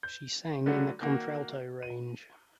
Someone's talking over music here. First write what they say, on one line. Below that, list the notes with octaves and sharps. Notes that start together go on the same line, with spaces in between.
She sang in the contralto range.
G6
D3 F#3 G3 A3 D4 F#4
D#3 A#3 F#4
D#7